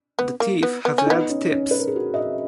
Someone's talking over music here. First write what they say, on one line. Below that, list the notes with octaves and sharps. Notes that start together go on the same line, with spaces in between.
The teeth have red tips.
B3
A#3
B3
B3
C#4
B3 D#4
C#4
C#4
B4
A#4
G#4
F#4
D#5
E5